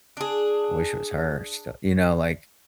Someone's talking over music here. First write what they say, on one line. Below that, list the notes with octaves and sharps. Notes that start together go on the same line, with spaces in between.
I wish it was her still you know, like,
D4 G#4